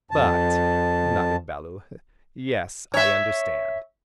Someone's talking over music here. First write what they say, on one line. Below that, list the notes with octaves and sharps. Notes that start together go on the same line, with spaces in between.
"But!" nodded Bellew, "yes, I understand."
F2 A5
C#5 E5